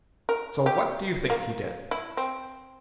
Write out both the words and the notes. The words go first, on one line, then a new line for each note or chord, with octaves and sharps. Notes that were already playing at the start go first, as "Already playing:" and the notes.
So what do you think he did?
A#4
G4
A#3
E4
C4